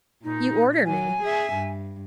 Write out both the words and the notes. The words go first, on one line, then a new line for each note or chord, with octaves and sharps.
"You order me?"
A#2 D#4
F#3 G#5
G#4 E5
G2